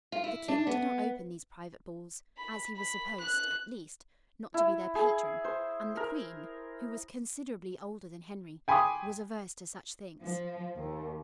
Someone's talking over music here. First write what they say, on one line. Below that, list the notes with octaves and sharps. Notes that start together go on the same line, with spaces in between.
The king did not open these private balls, as he was supposed, at least, not to be their patron, and the queen, who was considerably older than Henry, was averse to such things.
F4
E4
D4
B3
B5
B5
F#6
E4
G#4
C5
A#4
G5 G#5 B5 C6 D6 D#6
F3
D#2